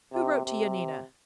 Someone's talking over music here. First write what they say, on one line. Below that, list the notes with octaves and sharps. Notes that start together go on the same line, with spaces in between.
"Who wrote to Yanina?"
C3
C3